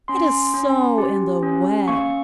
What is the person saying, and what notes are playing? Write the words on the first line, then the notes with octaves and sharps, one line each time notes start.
It is so in the way!
C#4 C6
C#4
G4
C#4
A#3 C#6